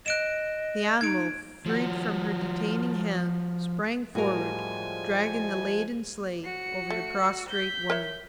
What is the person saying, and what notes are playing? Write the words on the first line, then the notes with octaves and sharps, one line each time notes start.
The animal, freed from her detaining hand, sprang forward, dragging the laden sleigh over the prostrate woman.
D#5 F#6 D7 E7
D#4 G#6 D7
F3 F#4
A2 F3 G3 G#3 F#4 A#4 G#5
F#4 C#7
A3
G6 B6
A#4 C#5 E5